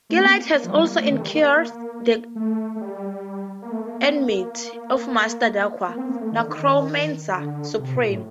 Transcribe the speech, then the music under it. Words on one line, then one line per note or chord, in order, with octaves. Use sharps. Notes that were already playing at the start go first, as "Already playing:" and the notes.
Gilad has also incurred the enmity of Master Darque - necromancer supreme.
A3
C4
A#3
A#3
F3
G3
A#3
A3
D#3
A3
G3
A#3
A3
A3
G3
A#3
A3
A#3
C4
A#3
A#3
C4
A#3
A3
D#3
D3
D#3
D3
C3
A#2
A2